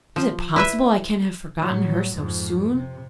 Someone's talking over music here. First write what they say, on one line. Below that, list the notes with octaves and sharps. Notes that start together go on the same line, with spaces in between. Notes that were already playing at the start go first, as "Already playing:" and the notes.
'Is it possible I can have forgotten her so soon?
F3
E4 B4 E5
A2 F#3
F2 G#2
C3